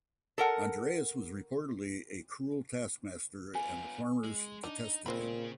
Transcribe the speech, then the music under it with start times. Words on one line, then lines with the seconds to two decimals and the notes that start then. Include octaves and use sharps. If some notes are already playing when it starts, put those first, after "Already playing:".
Andreas was reportedly a cruel taskmaster, and the farmers detested him.
0.38 A4 A#4 F#5
3.55 B3 F4 G#5
4.24 G#3
4.64 D4 D#4
5.06 A#2 C#3 G#3 C4 G#4 B5